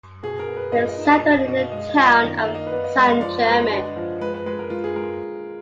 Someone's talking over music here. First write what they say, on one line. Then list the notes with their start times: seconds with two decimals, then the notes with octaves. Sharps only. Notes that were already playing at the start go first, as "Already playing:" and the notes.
They settled in the town of San German.
0.23 B2 G#4
0.39 A#4
0.48 B3
0.57 B4
0.72 A#2 D#5
0.89 D#5
0.97 D#4
1.05 D#5
1.23 B2 D5
1.39 D#5
1.48 B2
1.56 F5
1.72 G#3 D#5
1.89 D#5
1.97 F4
2.06 D5
2.22 D#3 D5
2.39 F5
2.47 A#3
2.55 D#5
2.67 B4
2.72 B3 D5
2.84 D#5
2.97 G#3 D5
3.09 F5
3.21 F3 D5
3.46 G#3 B4
3.64 D#5
3.71 D3 D5
3.96 F3
4.21 G#3 B4
4.34 B4
4.46 G#3 B4
4.59 A#4
4.70 G#3 F4
4.84 G#4
4.96 G#3 A#4